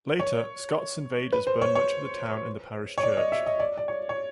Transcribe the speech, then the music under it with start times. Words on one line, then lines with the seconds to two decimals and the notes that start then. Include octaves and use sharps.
Later, Scots invaders burned much of the town and the parish church.
0.20 C#5
1.33 B4
1.47 C5
1.62 C#5
1.75 C#5
2.98 C#5
3.03 D5
3.17 D#5
3.32 E5
3.46 D#5
3.60 D5
3.77 D5
3.88 C#5
4.09 C#5